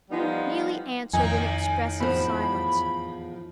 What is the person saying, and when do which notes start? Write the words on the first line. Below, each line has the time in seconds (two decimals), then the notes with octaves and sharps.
Neelie answered in expressive silence.
0.10 F3 G3 B3 D#4
1.13 F2 A2 D#3 D#4 G#5
2.00 E2 F3 B5